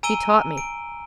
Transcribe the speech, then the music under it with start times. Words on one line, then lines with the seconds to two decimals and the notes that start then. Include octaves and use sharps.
He taught me.
0.03 G#5 A#5 E6 D7 D#7 G7
0.58 D7